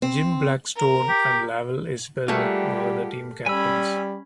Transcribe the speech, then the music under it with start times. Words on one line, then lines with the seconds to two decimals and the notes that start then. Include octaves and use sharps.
Jim Blackstone and Lavell Isbell were the team captains.
0.02 C4
0.76 A#4
1.09 G4
2.28 G3 A3 A#3 F4 G4 G#4 F#5
3.46 G3 C#4 G#5 B5 E6